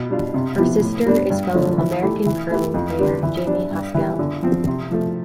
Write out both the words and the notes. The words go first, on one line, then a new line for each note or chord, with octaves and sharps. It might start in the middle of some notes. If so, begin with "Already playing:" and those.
Her sister is fellow American Curling player Jamie Haskell.
Already playing: B2
G3 D4 F4
C3
F3 B3 E4 G4
A2
G3 B3 D4
G2
D3 F3 A3
E3
A3 E4 G4
E3
A3 E4 G4
F2
D3 G3 D4 G4
E3
G3 D4
G2
E3 G3
D3
F3 C4
C3
F3 A3